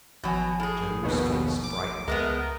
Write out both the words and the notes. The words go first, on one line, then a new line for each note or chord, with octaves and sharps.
Joe's face brightened.
G#1 B2 F3 F#3 G#5
A2 G#4
D#2 B2
D6
C#2 G#3 A3 B3 A#4